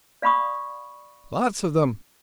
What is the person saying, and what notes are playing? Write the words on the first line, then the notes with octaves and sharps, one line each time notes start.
Lots of them.
D5 F5 F#5 B5 C#6 D#6